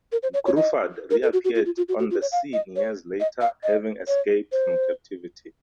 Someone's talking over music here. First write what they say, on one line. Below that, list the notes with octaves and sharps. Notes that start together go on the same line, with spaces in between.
Gruffudd reappeared on the scene years later, having escaped from captivity.
A#4
C5
C#5
C#5
D#5
A#4
A4
F#4
F#4
F4
F4
F4
F#4
F#4
F4
C#5
F5
D#5
C#5
D#5
F5
D#5
C#5
C5